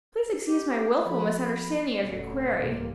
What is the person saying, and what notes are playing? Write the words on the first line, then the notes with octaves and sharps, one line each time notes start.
Please excuse my wilful misunderstanding of your query.
G4
G#4
F3 F#4 A4 B5
B5
F1 A#1 C#3 A3 B3 C#4
C2 G#2 C3 E3 A#3